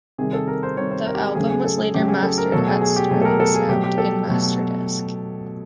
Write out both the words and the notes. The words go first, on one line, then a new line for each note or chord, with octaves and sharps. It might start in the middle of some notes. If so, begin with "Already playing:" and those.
The album was later mastered at Sterling Sound and Masterdisk.
C3 D#3 G3 G#4
A4
A#4
C5
C3 D#3 G3 C#5
C5
A#4
G4
G#4
C#3 F#3 A3 G#4
G#4
A4
G#4
C#3 F#3 A3 G4
G#4
A4
A#4
B2 F#3 A3 A4
G#4
G#4
G4
B2 F#3 A3 G#4
A4
A#4
A4
G#4
B2 F#3 A3 G4
G4
A4
B2 F#3 A3